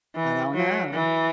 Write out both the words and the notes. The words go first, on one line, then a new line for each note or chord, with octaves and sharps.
I don't know.
E3
F#3
E3